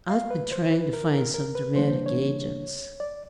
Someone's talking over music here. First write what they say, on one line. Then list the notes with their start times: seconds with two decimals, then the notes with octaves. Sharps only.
"I've been trying to find some dramatic agents."
0.10 F5
0.30 B4
0.52 C5
0.71 B4
0.93 A#4
1.14 A#4
1.34 A#4
1.55 B4
1.76 C#3 E3 G3 A#3 D4 C5
2.06 C#5
3.00 D5